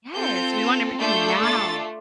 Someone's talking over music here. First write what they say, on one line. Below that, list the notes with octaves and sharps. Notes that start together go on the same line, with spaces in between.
Yes, we want everything now.
C4 F4 A4 G6
A3 D4 F4 A4 G6
A6